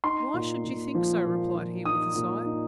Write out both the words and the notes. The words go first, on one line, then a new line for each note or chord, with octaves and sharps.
"Why should you think so!" replied he, with a sigh.
D#4 C6
A#2
A#2
F3
A#2
F3
D#4 D#6
A#2
D#4